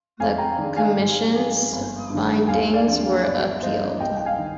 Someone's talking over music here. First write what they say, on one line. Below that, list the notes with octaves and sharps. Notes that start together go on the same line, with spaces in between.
The Commission's findings were appealed.
F2 F5 G#5
G5 A#5
D#3 G#3 D4
F5 G#5
G#2
F3 C4
G1
G2 D#3
D#2 F5 G#5
D5 F5
D3 F3 G#3 C4
G1 D5
G2 F3 A#3 C5 D#5
C2 D#5 G5
G5
F5 G#5
D#3